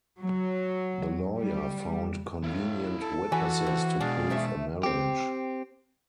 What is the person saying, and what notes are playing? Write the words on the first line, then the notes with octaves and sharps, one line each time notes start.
The lawyer found convenient witnesses to prove a marriage.
F#3
G3
A2 E4 F5
A4
E3 F#4 D5 G#5 B5
C4
B2 G#3 D4 G#4 D5 F5
C3 A3 E5
C4 G4